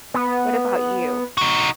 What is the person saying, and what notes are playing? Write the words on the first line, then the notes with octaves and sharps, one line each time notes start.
What about you?
B3
D#4 F#4